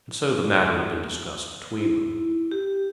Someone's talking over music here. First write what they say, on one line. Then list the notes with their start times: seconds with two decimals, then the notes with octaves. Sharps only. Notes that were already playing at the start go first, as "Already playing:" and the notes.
And so the matter had been discussed between them.
1.78 E4
2.51 G4